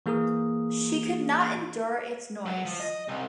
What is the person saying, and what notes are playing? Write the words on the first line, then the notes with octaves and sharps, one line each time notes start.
She could not endure its noise.
E3 A#3 G#4 A#4 D#6
F#3
F3
D#5
C2